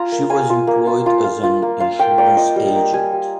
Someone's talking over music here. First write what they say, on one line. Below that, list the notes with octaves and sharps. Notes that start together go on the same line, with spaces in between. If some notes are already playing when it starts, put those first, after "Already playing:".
She was employed as an insurance agent.
Already playing: F4 G#5 A#5
A#3
F4 G#5
F4
A#3
F4
F4
F4
F4
A#3
F4 F5
A#3 G5
A#3 D5
F4 D#5
G3
A#3
G3 G#5
G3